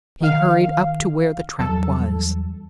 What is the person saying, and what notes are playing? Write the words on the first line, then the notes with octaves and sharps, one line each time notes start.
He hurried up to where the trap was.
D#3 F5
E2 F#3 G3 A4